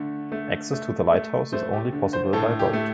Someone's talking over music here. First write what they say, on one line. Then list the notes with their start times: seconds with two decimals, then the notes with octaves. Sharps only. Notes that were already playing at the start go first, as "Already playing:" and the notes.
Access to the lighthouse is only possible by boat.
Already playing: D3 A3
0.32 A3
0.73 A3
1.13 A3
1.52 A3 C5
1.73 G4
1.92 D3
2.13 C5
2.33 A2 A4
2.59 G4
2.73 A3